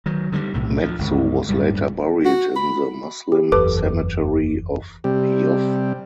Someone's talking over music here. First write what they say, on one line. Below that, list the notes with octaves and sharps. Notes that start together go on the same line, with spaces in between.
Metsu was later buried in the Muslim cemetery of Yoff.
D#3 F#3
D3 D#3 F3 G3
B1 A2 C3
D2 F3
G1 C#2
D1 G2 G3
F#4
B5
G4
F#1 E2 A4 B4 D6
C3 G3